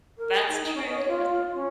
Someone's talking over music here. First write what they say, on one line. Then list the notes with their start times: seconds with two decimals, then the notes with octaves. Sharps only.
That's true. That's true.
0.17 A#4
0.32 G#4
0.47 D#4
0.62 D#4
0.74 C#4
0.85 D#5
0.97 C#5
1.08 F4
1.54 C#4